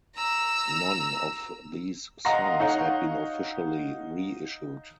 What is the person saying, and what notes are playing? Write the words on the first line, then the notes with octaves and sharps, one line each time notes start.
None of these songs had been officially re-issued.
A#5 E6
D#5 F5 F#5 A#5 C6 A#6
D#4 C#5 F5 F#5 A#5